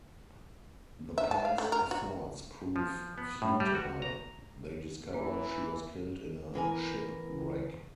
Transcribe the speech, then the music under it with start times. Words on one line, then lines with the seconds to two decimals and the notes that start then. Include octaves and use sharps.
The pair's efforts prove futile; they discover she was killed in a shipwreck.
1.18 E5
1.31 A5
1.45 F5
1.58 A3
1.72 A#4
1.91 F#4
2.76 F3
3.18 B3
3.42 A2
3.60 G3
3.75 F#4
4.02 A#5
5.13 E3 A#3 B4
6.54 E2 E3 A#4 G#5